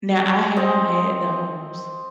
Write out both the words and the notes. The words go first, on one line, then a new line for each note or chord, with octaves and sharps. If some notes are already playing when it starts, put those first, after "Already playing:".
Now I have had those.
C4 C5 D#5